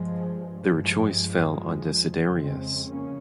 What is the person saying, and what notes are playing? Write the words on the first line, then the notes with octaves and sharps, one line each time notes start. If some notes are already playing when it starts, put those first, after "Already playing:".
Their choice fell on Desiderius.
Already playing: G2 F3 G#3
F3 G#3
F3 G#3
F2 C#3
G#3 C4
A#3 C#4